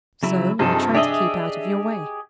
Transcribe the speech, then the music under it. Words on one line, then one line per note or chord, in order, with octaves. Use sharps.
So I tried to keep out of your way.
C#3 F#3 E4
G2 C3 F3 D#4 G#4 A4
D4 G4 G#4 D#5 E5